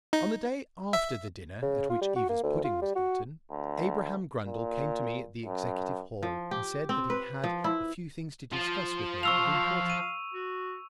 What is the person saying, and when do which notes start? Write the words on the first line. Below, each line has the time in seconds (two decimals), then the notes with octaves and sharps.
On the day after the dinner at which Eva's pudding was eaten, Abraham Grundle came to me at the Executive Hall, and said that he had a few things to discuss with me of importance.
0.13 D#4
0.93 E5
1.62 C#3
1.90 F4
2.02 G3
2.16 F#4
2.29 A#3
2.43 D2
2.64 F4
2.82 G3
2.95 F#4
3.51 D2
4.46 A#2
5.46 F#2
6.23 F3
6.51 G4
6.89 C4
7.10 B4
7.44 F3
7.64 E4
8.52 F3
9.23 F5 C#6 E6 F7
9.90 D#7
10.34 F#4